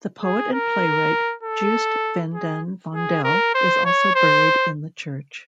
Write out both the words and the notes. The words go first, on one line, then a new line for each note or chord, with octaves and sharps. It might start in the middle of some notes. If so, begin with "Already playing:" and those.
The poet and playwright Joost van den Vondel is also buried in the church.
G#4
A#4
A4
G#4
G#4
A#4
C5
C#5
C5